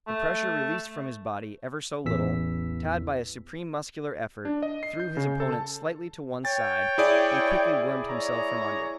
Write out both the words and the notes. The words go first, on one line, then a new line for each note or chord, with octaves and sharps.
The pressure released from his body, ever so little, Tad by a supreme muscular effort, threw his opponent slightly to one side, and quickly wormed himself from under.
A3
A1 E2 E3 E6 B6
D4
D#5
C7
G6
C#3
A4
A5
C#5 G5 A6
E4 G#4 D5
G#3 C#5 A#5